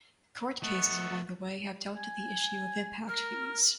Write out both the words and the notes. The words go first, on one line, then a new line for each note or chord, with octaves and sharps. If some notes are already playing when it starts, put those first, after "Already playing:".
Court cases along the way have dealt with the issue of impact fees.
A3 B3 A4 D#5 F#5 C#6
G#5
A#4 F6